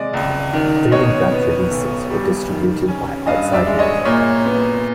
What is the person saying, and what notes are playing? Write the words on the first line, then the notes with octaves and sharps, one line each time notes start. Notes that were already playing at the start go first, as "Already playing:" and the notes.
Three Gut releases were distributed by Outside Music.
Already playing: C3 G#3 D5 D#5
C#2
D#3
B2 C#5 D#5
B3
B1
G3
D#3
C#4
G2 D#5 F5
D5 E5
G#3
C#5 D#5
A#2 C#5
B3